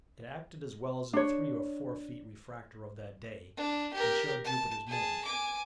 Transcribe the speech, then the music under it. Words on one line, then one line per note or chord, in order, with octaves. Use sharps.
It acted as well as a three or four feet refractor of that day, and showed Jupiter's moons.
D4 C#5
D4
G4 A#4
A5
G#4 A5
G#5 D6